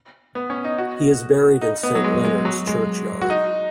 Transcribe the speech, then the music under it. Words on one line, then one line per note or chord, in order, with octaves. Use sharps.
He is buried in Saint Leonard's churchyard.
B3
C#4
D#4
F#4
D#4
B3
F#3
G#3
G#3
F#3
G#3
F#4
D#4